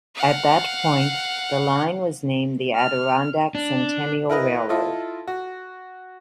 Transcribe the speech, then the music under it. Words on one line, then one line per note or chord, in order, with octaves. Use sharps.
At that point, the line was named the Adirondack Centennial Railroad.
F5 F#5
F6
D4
E4 A#4 B4 D#5
E4 F4 A4 D#5
F#4